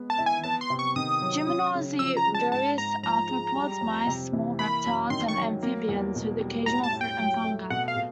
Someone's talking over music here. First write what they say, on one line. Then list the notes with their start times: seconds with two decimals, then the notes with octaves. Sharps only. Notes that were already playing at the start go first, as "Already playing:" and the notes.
Gymnures eat various arthropods, mice, small reptiles and amphibians, with occasional fruit and fungi.
Already playing: G#3 B3 G#4
0.10 A5
0.18 E4
0.26 G#5
0.44 B3 A5
0.61 C6
0.70 C3
0.79 C#6
0.96 D#3 D#6
1.21 F#3
1.48 C#4
1.74 C#3
1.99 F3 E6
2.17 A#5
2.26 G#3
2.34 A5
2.52 G#2 A5
2.78 G#2 A#5
3.03 F3 A#5
3.29 G#3
3.55 G3
3.81 F2
4.07 C3
4.33 E3
4.59 A#3 B5
4.85 F#2
5.10 D#3 C6
5.28 C#6
5.36 F#3
5.63 A#3
5.89 E2
6.15 B2
6.40 G3
6.66 A2 A#5
6.83 A5
6.93 A2
7.01 G5
7.18 F#3
7.44 A3
7.70 B2 F#5
7.88 F5
7.96 B2